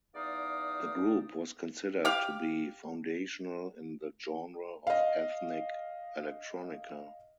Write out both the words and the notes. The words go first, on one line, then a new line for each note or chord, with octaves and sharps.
The group was considered to be foundational in the genre of ethnic electronica.
E2 D#4 D5 F5 D#6
G4 F5
D#5 F5